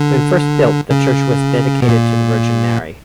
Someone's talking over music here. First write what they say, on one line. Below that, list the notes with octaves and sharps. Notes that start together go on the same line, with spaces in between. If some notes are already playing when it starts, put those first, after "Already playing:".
When first built the church was dedicated to the Virgin Mary.
Already playing: D3
C#3
B2
A#2